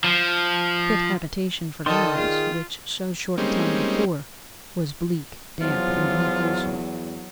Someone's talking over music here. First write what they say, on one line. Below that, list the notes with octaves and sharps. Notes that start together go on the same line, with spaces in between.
Fit habitation for gods, which, so short a time before, was bleak, damp, and unwholesome.
F3
D#3 A4 D5 D#5 C6
F4 G#4
G3 G#3 A#3 C4 C#4 D#4
E2 F3 F#3 F4